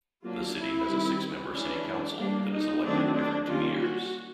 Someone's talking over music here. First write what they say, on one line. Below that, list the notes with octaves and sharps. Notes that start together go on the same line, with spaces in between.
The city has a six-member City Council that is elected every two years.
F#3 A#3 D4 F4
E4
D#3 G3 C4
E3 G#3 C#4 D4
G3 A#3 D4
D#4
D#3 F#3 A3 C4 D4
D4
D#3 G3 A#3 C#4 F4
F#4